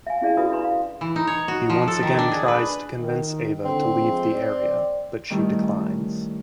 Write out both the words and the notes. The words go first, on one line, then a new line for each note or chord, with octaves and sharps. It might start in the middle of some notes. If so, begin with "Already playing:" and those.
He once again tries to convince Ava to leave the area but she declines.
E5 F5 G#5
C#4 E4 G#4 D5 F5 A5
F#4 A4 B4 E5 B5 D#6
D4 D5 A#5 C6
F5
E3
D#4
C#5
F#4
F3
A4
D#3
D4
G#4
B4
D#3
E2 D3 C4
F3 G#3
D5
D#3 G3 A3 C#4 E4